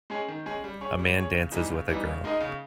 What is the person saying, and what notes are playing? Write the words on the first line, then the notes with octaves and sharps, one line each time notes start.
A man dances with a girl.
G#3 C#4 G#4
D#3
G#3 C#4 G#4
G3
C#4 G#4 C#5
G3
C#4 G#4 C#5
C#3
E3 G3 B3 D#4
C#3
E3 G3 B3 D#4
C#3
G#3 D#4 A#4 D#5
C#3